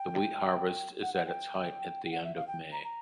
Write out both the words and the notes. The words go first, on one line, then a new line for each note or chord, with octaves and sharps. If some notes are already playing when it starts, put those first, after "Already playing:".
The wheat harvest is at its height at the end of May.
Already playing: G5
F#5
F#5
G5
G5
F#5
E5
F5
G5
A#5
A#5